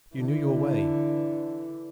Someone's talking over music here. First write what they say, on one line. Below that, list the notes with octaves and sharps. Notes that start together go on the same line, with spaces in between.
You knew your way.
D3 E3